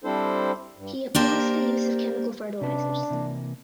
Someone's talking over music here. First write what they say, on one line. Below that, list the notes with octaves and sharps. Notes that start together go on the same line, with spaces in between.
He opposed the use of chemical fertilizers.
G3 C4 D4 E4 A4 C5
G2
A#3 D4 G4 A#4 C5
C3 C#4 D4 B4
C3 E3 A#3